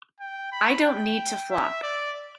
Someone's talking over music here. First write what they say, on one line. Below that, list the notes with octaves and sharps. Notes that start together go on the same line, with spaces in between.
I don't need to flop.
G5
B5
G5
E5
D5